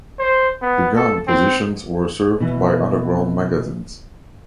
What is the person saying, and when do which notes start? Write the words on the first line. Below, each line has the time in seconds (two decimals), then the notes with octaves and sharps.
The gun positions were served by underground magazines.
0.19 C5
0.62 B3
0.96 A4
1.28 C4
2.40 B2 E3